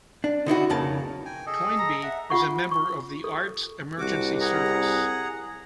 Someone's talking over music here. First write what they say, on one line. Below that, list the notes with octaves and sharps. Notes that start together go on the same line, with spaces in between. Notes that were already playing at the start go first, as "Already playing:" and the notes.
Toynbee is a member of the Arts Emergency Service.
D4
D3 D#4 E4 F#4
B1 F2 C#3 A#3 A5
G5 G#5
G#4 A4 D#5
A#5
E5 F#5
F4 F#5 C#6
C#6
A4
C2 F#4 D6
G#4 F#5 A#5